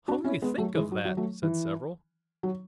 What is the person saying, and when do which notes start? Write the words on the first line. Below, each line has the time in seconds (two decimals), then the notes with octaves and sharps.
"Only think of that!" said several.
0.08 D4 F#4
0.24 C#4 E4
0.42 G#3 B3
0.58 F#3 A3
0.75 E3 G#3
0.92 F#3
1.05 F#3
1.17 F#3 A3
1.43 E3
2.43 F#3